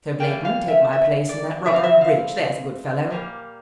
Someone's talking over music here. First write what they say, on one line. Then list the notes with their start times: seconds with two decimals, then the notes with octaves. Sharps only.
Sir Blaydon, take my place in that rubber of bridge--there's a good fellow.
0.20 A2 E3 G3 A#3 G5
0.45 F5
0.68 E5
0.93 E5
1.29 D5
1.65 C3 G3 C4 E5
1.74 F5
1.84 E5
2.01 F5
3.11 A#2 G3 A#3